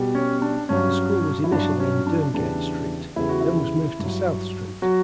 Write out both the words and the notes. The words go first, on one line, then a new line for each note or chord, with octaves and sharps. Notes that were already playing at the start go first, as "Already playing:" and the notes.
The school was initially in Durngate Street, then was moved to South Street.
Already playing: B2 G3
C#4
D4
G2 F#3 C#4
E4
G2 F#3 D4
C#4
D4
E2 C#3 E3 G3 D4
E2 C#3 E3 G3 E4
F#4
E4
G2 F#3
F#3 F#4